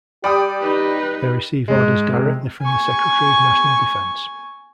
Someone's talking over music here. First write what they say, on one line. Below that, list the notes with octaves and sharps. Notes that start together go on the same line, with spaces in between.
They receive orders directly from the Secretary of National Defense.
G3 G4 D5 G5 D#6
D#4 B4
G#2 G#3
C3 G#3
G#5 C#6